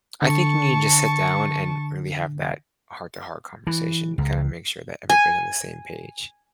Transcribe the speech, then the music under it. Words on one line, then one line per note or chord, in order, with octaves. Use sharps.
I think you need to sit down and really have that heart-to-heart conversation and kinda make sure that everybody on the same page.
D3 A5 C#6
E3
C#2
G#5